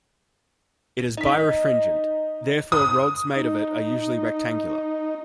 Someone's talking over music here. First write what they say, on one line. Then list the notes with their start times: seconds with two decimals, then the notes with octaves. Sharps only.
It is birefringent, therefore rods made of it are usually rectangular.
1.17 D#4 D#5 B6
2.72 D#6
3.36 D#4